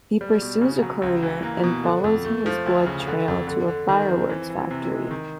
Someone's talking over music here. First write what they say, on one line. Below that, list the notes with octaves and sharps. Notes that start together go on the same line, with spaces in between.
He pursues a courier and follows his blood trail to a fireworks factory.
G3
B2
C#3
F#3
C#2
E3
A#3
B2
D3
F2
A3
F3
D2
C#3
D3
F2
D3
D3
D#3
C4
E3
E3
C3
G#3
D#3